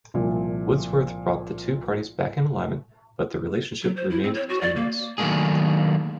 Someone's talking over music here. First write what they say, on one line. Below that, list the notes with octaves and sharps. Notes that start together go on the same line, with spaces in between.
Woodsworth brought the two parties back in alignment, but their relationship remained tenuous.
C2 A#2 F3
F#3
C5
E4
C4
C#5
F#4
D5
A#3
D#3 F#3 A3 A#3 D4 G#4